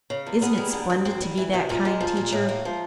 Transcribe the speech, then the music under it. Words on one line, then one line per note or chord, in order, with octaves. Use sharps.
"Isn't it splendid to be that kind, teacher?"
C#3
E2
B3 G#4 A#4
G3
D3
F#2
C4
G3
E3
C3
A#2 G#4 A#4
G#3
F3
A#2
A2
A#3
F3